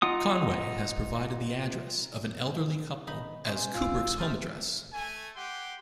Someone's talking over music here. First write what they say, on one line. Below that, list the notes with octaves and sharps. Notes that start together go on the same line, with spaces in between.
Conway has provided the address of an elderly couple as Kubrick's home address.
D#4 F4 F#5 D#6
B3 D#4 B5
G#2 B2 C#4 C5
F4 E6
F4 G4 A4 D#5
A3 G#5
G4 F#5 G5 C6